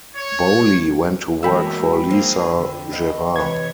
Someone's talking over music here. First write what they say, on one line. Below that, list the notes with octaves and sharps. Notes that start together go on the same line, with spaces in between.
Bowley went to work for Lisa Gerrard.
C#5
F#2 B2 E3 G#3 A#3 G5 B5 E6
F3 A#3 G#4
F2 D3
D#5
C3 E3 B4 C#5 G#6